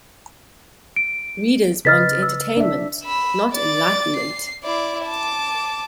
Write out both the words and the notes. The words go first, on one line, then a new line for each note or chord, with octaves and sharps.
Readers want entertainment, not enlightenment.
D7
C#3 B4 D#5 F6 A6 B6
E6
D4 E5
B5 E6
D5 A6
C7
E4 D5
A5 D6